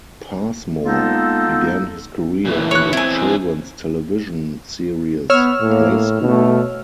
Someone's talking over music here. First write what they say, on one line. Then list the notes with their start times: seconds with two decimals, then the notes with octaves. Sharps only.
Passmore began his career on the children's television series "Play School".
0.85 G#3 A#3 B3 D#4 F4 A4
2.45 A#2 E3
2.71 C#5 F#6
2.93 E2 C4 E4 G#5
5.30 B3 C#5 E6 F6
5.61 A2 A#3
6.21 B2 A3